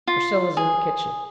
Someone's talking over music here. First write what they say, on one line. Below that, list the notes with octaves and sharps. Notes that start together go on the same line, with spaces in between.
"Priscilla's in the kitchen."
F4
G#4